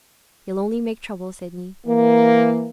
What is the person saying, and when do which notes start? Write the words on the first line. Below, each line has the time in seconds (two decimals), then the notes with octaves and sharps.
You'll only make trouble, Sidney.'
1.87 E3 A#3